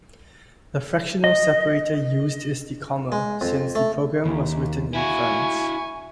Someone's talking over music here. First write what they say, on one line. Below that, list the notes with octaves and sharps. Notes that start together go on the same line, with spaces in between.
The fractional separator used is the comma, since the program was written in France.
D#5
G#3
F2
A3
D#2
E4 F#4 G#5 C#6